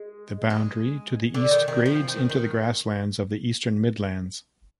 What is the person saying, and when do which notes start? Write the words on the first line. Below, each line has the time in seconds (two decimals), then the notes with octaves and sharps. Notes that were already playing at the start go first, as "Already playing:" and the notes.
The boundary to the east grades into the grasslands of the Eastern Midlands.
Already playing: G#3
0.50 G#3
1.34 D3
1.51 D#3
1.68 D#3
1.86 F3
2.08 D#3
2.29 D#3